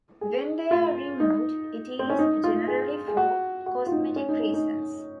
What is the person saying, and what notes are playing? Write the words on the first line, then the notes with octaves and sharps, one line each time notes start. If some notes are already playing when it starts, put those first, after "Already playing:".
When they are removed, it is generally for cosmetic reasons.
G#4
F4
D#4
C4
C#4
D#4
F4
G#4
G#4
F#4
F#4
F4
D#4
C#4
D#4
D#4
D#4